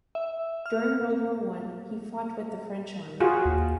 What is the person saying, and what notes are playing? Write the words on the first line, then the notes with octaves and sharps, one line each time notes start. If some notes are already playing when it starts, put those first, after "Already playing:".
During World War One, he fought with the French army.
E5
F6
F4 F#4 G#4
D#2